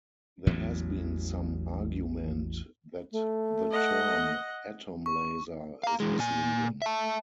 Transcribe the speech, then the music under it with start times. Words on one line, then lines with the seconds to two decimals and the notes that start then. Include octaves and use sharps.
There has been some argument that the term "atom laser" is misleading.
0.47 A1 E2 A2 F#3
3.12 A3
3.71 D#5 F#5
5.06 C#6
5.83 F5 A#5
6.00 E3 G#3
6.19 A#2 G#5
6.82 E5 A5